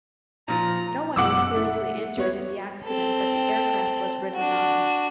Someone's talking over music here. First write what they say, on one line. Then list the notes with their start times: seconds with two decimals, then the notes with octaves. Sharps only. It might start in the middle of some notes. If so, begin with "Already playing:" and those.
No one was seriously injured in the accident but the aircraft was written off.
0.48 A#2 F3 A#5
1.16 F#1 B2 F#5 D6 E6
1.54 A3 E4
2.17 B3 F#4 C#5
2.85 C4 A4
4.35 D4 F#4